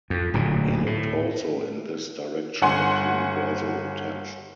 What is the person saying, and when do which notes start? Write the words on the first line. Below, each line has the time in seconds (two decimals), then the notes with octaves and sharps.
He looked also in this direction of universal attention.
0.10 F2
0.34 D1 D2 A#2
0.86 A2
2.62 G1 F#5 G#5 C6